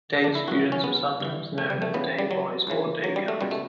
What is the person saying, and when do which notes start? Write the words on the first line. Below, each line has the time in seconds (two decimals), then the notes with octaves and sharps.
Day students are sometimes known as day boys or day girls.
0.24 D4
0.35 E4
0.48 F#2 E3 F#4
0.72 C#4
0.84 B3
1.20 G2 E3
1.58 A3
1.70 G3
1.82 A3
1.94 D2 C#3 E3 B3
2.19 G3
2.31 F#3
2.67 C#2 C#3 E3
3.04 F#3
3.16 G3
3.28 A3
3.41 C#2 B2 G3
3.51 A3